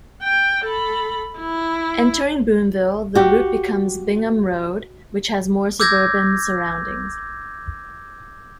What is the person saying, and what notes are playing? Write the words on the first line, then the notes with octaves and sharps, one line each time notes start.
Entering Boonville, the route becomes Bingham Road, which has more suburban surroundings.
G5
A4 B5
E4
F#4 G4
D6 E6 G6 G#6 A#6